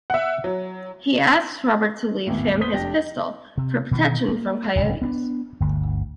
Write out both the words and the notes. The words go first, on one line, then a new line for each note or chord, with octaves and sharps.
He asks Robert to leave him his pistol, for protection from coyotes.
E5 F#5
F#3
G#1 E2 A2
B3 C5 D#6 B6 G7
F1 D4 G4 A#6
C3
B2 D#3 E3
A#3
D1 C2 C#3
B3 C4 D4
G1 D2